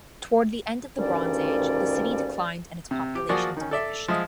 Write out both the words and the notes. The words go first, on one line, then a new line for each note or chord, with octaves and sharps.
Toward the end of the Bronze Age, the city declined and its population diminished.
D2 G2 D#3 F3 C#4 D5
C3
G4
F3 A#3 F#4 G#4 D5
D#3 C#4
A4 D5 E5
F3 G#3 E5 D#6